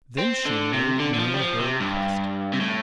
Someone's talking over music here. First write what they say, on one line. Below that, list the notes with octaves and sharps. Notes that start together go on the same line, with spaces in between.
Then she made known her request.
C4
D3
C3
D3
D3
F3
G3
F3
C3
G2
C3
A2